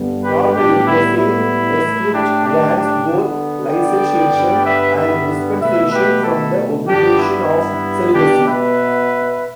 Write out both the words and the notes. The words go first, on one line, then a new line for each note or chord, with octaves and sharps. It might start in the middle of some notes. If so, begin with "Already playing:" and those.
Normally, the same rescript grants both laicization and dispensation from the obligation of celibacy.
Already playing: G2 D3 G3 B3
G4 B4
A2 G3 B3 D4 G4
E4
E4
A2 A3
D4 G4
D4 G4
D4 G4
D3 B3
D5 G5
G2 D3 G3 B3
B4 E5
B4 E5
B2 A3 B4 E5
G4 B4
E4 A4
G2 G3 B3 D4 G4
E4
B2 B3 D4 G4
B4 E5